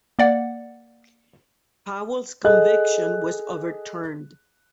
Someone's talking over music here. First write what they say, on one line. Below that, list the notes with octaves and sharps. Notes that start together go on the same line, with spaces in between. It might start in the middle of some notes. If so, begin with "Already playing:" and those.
Powell's conviction was overturned.
A#3 D5 F#5
G#4 A4 D#5 F#6